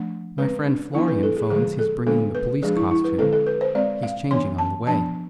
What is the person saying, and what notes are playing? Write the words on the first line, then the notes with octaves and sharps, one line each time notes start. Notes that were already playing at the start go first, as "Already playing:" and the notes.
My friend Florian 'phones he's bringing the police costume; he's changing on the way.
Already playing: F3 A3 D4
G#3 C4 B4
D4
F3 B3 D4 E4
B4
A4
G#4
D3 F3 G#3 G#4
A4
D3 G#3 B3 D4 A4
B4
F3 G#3 D4 G#4
E4
E4
B4
D3 G#3 C4 A4
A4
B4
C5
G#3 C4 D5
F5
E3 B3 D4 C6
A5
F3 B3 D4 A5